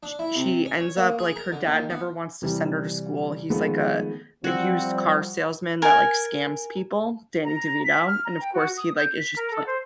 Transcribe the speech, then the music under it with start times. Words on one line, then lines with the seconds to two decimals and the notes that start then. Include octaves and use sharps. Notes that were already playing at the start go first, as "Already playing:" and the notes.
sh she ends up like, her dad never wants to send her to school, he's like a a used-car salesman that, like, scams people Danny DeVito, and of course he, like, it's just pl
0.03 D4
0.19 E4
0.36 C3
0.65 C#4
0.80 C#5
0.97 A#3
1.19 G#4
1.36 A#4
1.52 D3
1.67 D#2
1.90 B3
2.42 C3 E3 G3
3.50 D#3 F3 G#3 A3 B3
4.44 F3 G3 C4 F#4
5.82 A#4 G#5
7.45 A#5
7.84 B6
8.07 F6
8.25 A#5
8.41 G5
8.53 F#4
8.77 D#6
8.96 G6
9.19 B6
9.36 A#4
9.51 A4
9.67 C5